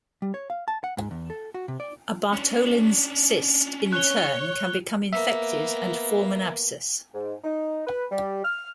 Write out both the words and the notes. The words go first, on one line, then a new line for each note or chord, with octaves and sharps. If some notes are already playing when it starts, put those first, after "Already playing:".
A Bartholin's cyst in turn can become infected and form an abscess.
G3
C#5
F5
A5
F#5
G#2
E2
A4
F#4
C3
D5
C#4 D4
C#5 F#6 G7
A#3 B3 E5
G#2
D#4
B4
G3
F6